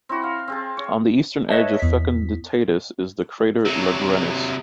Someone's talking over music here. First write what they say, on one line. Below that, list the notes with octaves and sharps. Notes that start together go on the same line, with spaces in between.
On the eastern edge of Fecunditatis is the crater Langrenus.
C4 E4 F#4
F5
C4 G#4 A5
C#5
B4 C#5 D#5 E5 A5
E2 B6
C3 F#3